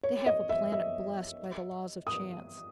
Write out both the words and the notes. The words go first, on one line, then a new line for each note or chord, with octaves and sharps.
They have a planet blessed by the laws of chance.
C#5
D#5
E5
E5
D#6